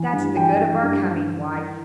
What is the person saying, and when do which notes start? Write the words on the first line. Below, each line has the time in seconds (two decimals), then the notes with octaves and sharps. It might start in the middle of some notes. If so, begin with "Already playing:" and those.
"That's the good of our coming, wife."
Already playing: E3
0.13 G2
0.36 E3 G5
0.60 E3
0.83 G2
1.06 G2
1.29 E3
1.52 E3